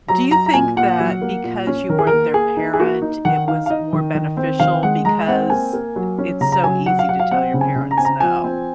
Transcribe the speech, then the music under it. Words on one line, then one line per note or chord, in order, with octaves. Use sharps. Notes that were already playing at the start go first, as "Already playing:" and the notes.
Do you think that because you weren't their parent, it was more beneficial because it's so easy to tell your parents no,
F#3 A#5
F#3 A#5
A#5
A#2 G#5
A#2 F#5
F#3
A#3
A#2
C#4
D#3 A#4
G#4
A#4
A#3
A#3 G#4
D#4
G#4
A#3 F#4
D#4
D#3 F#5
D#4 F5
F5
D#4 D#5
D#3
D#3
C4
D#3 F5
G#3 F#5
G#3 A#5
C4 F#5
A#3 G#5
A#3
F#3
C#4
C#3 A#5
A#5
F#3 G#5
F#3 F#5
F5
F#3 F#5
F5
C4 F#5
C#3
G#5
C#3
A#5
C4 G#5
A#5
F3 G#5
C4